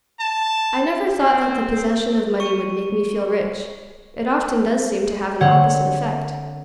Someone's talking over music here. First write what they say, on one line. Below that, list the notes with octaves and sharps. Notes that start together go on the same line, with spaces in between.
I never thought that the possession of money would make me feel rich: it often does seem to have an opposite effect.
A5
C4
C#6 C#7 D#7
D3 C4 C#5 F#5